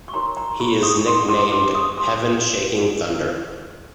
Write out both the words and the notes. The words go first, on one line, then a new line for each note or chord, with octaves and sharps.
He is nicknamed "Heaven Shaking Thunder".
C#6
D#4 F#4 A#4 C#5 A#5 C6
A#5 C6
B5 C#6
C#6 D#6
C6 D6
C6 D6
C6 D6
C#6 D#6
C6 D6